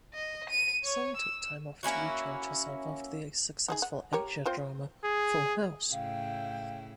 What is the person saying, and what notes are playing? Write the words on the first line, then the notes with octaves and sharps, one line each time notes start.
Song took time off to recharge herself after the successful asia drama "Full House".
D#5
D#7
C#5
E6
A#3 C#4 E4 F#4
D#4 F#4 G#4
F#5
G4 A#4 C#5
C4 F4 C5
G#4
A2 C#3 E4 F5 G5